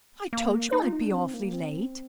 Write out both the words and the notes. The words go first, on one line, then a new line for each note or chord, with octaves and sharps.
"I told you I'd be awfully late."
A#3
D#4
F4
D#4
D4
C4
A#3
C4